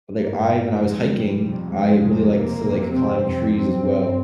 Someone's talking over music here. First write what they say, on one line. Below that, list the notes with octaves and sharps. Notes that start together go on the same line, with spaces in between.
Like, I when I was hiking, I really liked to, like, climb trees as well,
G2 A#3
A#3
F2 C3 G#3
G3
F2 C3
G#3
F2 C3
A#3
F2 C3
C4
F2 C3
C4
G2